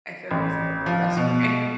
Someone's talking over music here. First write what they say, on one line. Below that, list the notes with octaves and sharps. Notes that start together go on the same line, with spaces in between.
I feel like it's a little stressful game.
A1
F3
B2